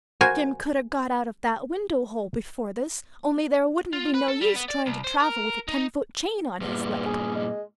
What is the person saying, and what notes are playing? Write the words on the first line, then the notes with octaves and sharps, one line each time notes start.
Jim could a got out of that window-hole before this, only there wouldn't be no use trying to travel with a ten-foot chain on his leg.
F#4 A#4 C5 G#5
F4
B4
A4
G3
B3
D5
C2
C5
A#4
D#4
E2 G2 A#2
G#4
G#3